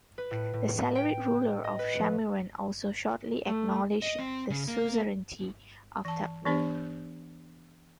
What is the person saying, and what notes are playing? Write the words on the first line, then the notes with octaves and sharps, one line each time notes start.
The Sallarid ruler of Shamiran also shortly acknowledged the suzerianty of Tughril.
B4
A2
A2
G5
D#5
B4
F3
A3
D#5
C4
C#3
A#3
E3 A5
E3 B3 D4 G4 C5